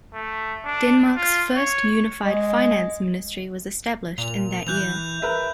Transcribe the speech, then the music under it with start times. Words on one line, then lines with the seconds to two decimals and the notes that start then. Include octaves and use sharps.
Denmark's first unified Finance Ministry was established in that year.
0.14 A3
0.65 D4
1.16 F4
1.56 C#5
2.25 G#3
4.18 A#2 F7
4.67 E3 F#6 G6 F7
5.22 A#4 B4 E5